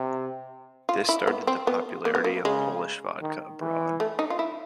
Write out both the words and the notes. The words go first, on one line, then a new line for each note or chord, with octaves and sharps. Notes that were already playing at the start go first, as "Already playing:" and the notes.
This started the popularity of Polish vodka abroad.
Already playing: C3
F4
E4
B3
C4
B3
A#3
B3
A#3
C#3 G#3
D#3
E3
A3
D#4
F4
E4